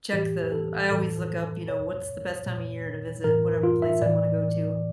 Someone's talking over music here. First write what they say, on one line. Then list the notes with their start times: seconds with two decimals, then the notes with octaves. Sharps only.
check th I always look up, you know, what's the best time of year to visit whatever place I wanna go to.
0.13 A2 E3 G4
0.52 A4
0.91 A2 E3 A4
1.68 A#2 C#5
2.46 A#2
3.24 A2 E3 A#4
3.63 F4
3.82 E5
4.02 A2 E3 D5